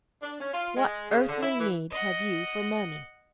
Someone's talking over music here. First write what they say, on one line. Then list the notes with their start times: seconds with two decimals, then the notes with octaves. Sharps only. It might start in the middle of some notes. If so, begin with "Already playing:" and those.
What earthly need have you for money?'
0.22 D4
0.40 C#4
0.54 F4
0.77 G#3
1.11 C#3
1.29 D3
1.43 E4
1.60 E3
1.90 D#5 F#5